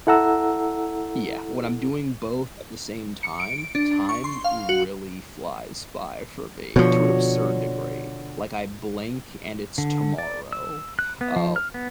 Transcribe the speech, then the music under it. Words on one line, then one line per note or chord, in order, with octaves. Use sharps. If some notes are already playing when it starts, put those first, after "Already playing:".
Yeah, when I'm doing both at the same time, time really flies by for me to an absurd degree, like, I blink and it's tomorrow, uh,
E4 A4 F#5 A#5 E6
C#7
D7
D4
C#6
C6
F5
F#4
B2 D3 F3 F#4 C#5
D3
D5
E6
F#6
B3
F3
F6
B3